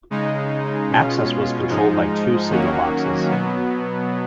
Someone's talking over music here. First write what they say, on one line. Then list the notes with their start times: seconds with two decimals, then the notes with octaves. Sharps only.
Access was controlled by two signal boxes.
0.10 C#3 G#3 D#4
0.90 B2 G#3 C#4 F4
1.70 G#2 F3 G#3 D#4
2.50 D#3 F#3 A#3 C#4 F#4
3.30 B2 F#3 B3